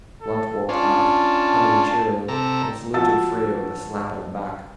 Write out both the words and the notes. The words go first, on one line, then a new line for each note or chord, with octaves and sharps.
Blunt walked aft, humming cheerily, and saluted Frere with a slap on the back.
A4
C#4 D4 F4 A5
C3 A4 A#5
F3 F#4 F#5 A5 E6 A6